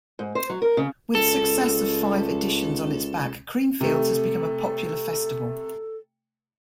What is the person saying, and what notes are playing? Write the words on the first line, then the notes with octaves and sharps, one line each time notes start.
With success of five editions on its back, Creamfields has become a popular festival.
G#2
C5
F#3
A#4
C#3
C#2 A4
C3 A3 A4